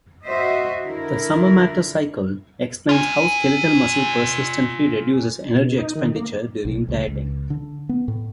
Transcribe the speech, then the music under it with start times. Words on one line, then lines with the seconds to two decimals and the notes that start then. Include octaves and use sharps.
The "Summermatter Cycle" explains how skeletal muscle persistently reduces energy expenditure during dieting.
0.25 F#4 C5 D#5 E5
0.85 D3 E4 A#4
2.89 F4 G#5
5.55 B2
5.78 D#4
5.95 D#3
6.16 A#3
6.65 B1
6.89 C#2
7.08 C#2
7.50 D3
7.89 B3
8.08 A2